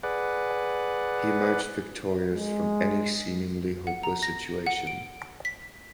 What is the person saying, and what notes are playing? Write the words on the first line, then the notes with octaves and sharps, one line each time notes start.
He emerged victorious from any seemingly hopeless situation.
G#4 B4 D5 F#5
G#3
F#5
A#5
A#6
F#5
D7
B6